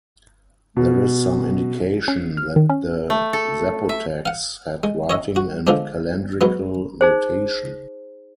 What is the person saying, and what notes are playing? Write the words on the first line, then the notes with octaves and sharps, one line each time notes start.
There is some indication that the Zapotecs had writing and calendrical notation.
B2
C#4
F6
D#3
C#4
A3
A4
E5
F5 F#5
G#3
C#5 D#5 E5
F#4
D3 F3 G#3 C4 D4
G#2 F#3 B3
D#4 G#4 C5